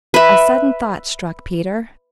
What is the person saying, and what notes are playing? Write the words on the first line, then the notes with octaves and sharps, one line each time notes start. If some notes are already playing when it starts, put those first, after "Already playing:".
A sudden thought struck Peter.
B4 E5